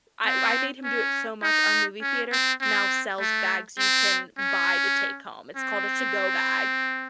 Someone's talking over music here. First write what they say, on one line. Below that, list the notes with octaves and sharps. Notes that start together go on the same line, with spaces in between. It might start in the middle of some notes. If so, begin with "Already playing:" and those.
I w I made him do it so much, our movie theater now sells bags you can buy to take home, it's called a to-go bag.
C4
C#4
D#4
C#4
C4
C4
A3
C4
C#4
C4